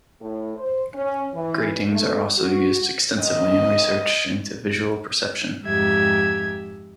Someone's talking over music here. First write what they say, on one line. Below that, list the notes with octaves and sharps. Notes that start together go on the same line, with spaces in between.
Gratings are also used extensively in research into visual perception.
A2
C5
C#4
E3
A3
F#4
D#5
F2 G#2 G4 E5 G#6